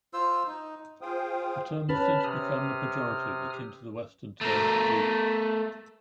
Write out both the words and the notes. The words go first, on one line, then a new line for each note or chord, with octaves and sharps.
The term has since become a pejorative akin to the western term "Judas".
F4 C5 E6
D#4
F4 G#4 C5 F5 G5 D#6
C#4 B4 A5 B5 F6
C3 D#6 F6
A3 A#4